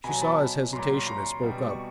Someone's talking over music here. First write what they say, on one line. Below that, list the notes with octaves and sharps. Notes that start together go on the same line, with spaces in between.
She saw his hesitation and spoke up.
B2 F#3 G#5 A#5
A5 B5
A#2 F#3 A#5 C6
C#6
A#5 C6
B2 G3
C#6